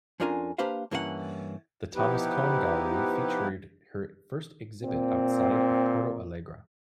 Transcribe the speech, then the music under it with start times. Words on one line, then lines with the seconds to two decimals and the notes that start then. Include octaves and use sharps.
The Thomas Cohn gallery featured her first exhibit outside of Porto Alegre.
0.20 F2 C#4 D4 F4 A#4 G#5
0.58 A#3 D4 G4 B4 C5 F5
0.91 G2 E3 A#3 C#4 F4 F#5
1.96 F3 B3 D#4 E4 G4 B4
4.82 A#2 C4